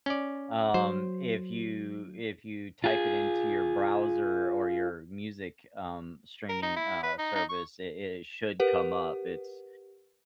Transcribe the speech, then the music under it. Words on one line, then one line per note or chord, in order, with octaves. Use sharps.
Um, if you if you type it into your browser or your music, um, streaming, uh, service, it it should come up. It's
C#4 D5
F#3 C5
F4 G#4
A#4
D#4
E4
B4
D#4
D#4
C#6
G4 A#4 B4 F#5